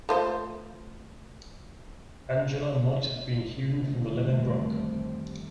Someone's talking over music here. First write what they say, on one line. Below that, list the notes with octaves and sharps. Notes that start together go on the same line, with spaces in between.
Angela might have been hewn from the living rock.
A3 F4 C5
F2 D3 D#3 G3 A3 C4